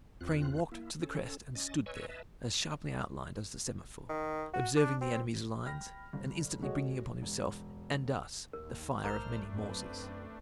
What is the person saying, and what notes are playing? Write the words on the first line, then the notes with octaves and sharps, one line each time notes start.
Crane walked to the crest and stood there as sharply outlined as a semaphore, observing the enemy's lines, and instantly bringing upon himself and us the fire of many Mausers.
E2 C4 F4 F#6
A#3 E4
C#4 A4
C#4 D#5 A6
B4 C#5 D#5 G#5 C#6 E6
B4 D#5 E5 A5
D#3
F#4
D4
C4
G5 B5 F6 A#6
G1
G#3 F#4 G#4 A4 C#5 D#5
E1
D#2 A#4
A#1 A3 D4 A#4 C5 A#5 D6 F6
F#2 C4 B4